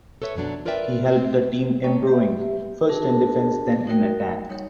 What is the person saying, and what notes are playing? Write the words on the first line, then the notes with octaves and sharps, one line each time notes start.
He helped the team improving, first in defence then in attack.
A4 B4 C#5 E5
F#2 B2 F#3 D4
F4 A#4 B4 D5 E5 G5
C4 F4
A3 A#3 C#4 C#5 D#5 G5
G4 E5
D4 F#4 G#4 A#4 A5
D#4 F#4 A#4 G5
G3 D#4 C#5